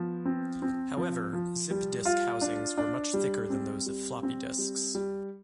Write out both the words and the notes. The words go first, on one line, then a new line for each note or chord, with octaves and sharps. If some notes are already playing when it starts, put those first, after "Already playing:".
However, Zip disk housings were much thicker than those of floppy disks.
Already playing: F3 B3
C4
C4
F3
F3
G3
F4
D4
D4
G3
C4
G3
C4
G3
G3